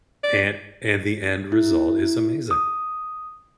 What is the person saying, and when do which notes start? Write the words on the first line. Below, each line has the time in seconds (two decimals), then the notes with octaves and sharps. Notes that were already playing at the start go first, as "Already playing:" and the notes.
and and the end result is amazing.
0.23 D5
1.52 E4
2.51 D#6